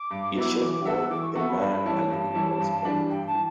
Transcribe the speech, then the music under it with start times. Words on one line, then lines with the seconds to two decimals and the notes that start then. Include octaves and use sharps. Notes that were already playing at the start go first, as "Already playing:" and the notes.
It shows both the man and the woman's point of view.
Already playing: D6
0.11 G2
0.36 F#3 B3 E4
0.60 E3 D6
0.73 D6
0.86 B3 F#4 A4 E5 E6
0.97 E6
1.10 E3 D6
1.23 C#6
1.35 B3 F#4 A4 E5 C#6
1.48 B5
1.61 G2 B5
1.85 E3 G3 C#4 E4 A5
2.10 G2
2.35 E3 G3 C#4 E4
2.60 G2
2.85 E3 G3 D4
3.10 G2 G5
3.27 A5
3.35 E3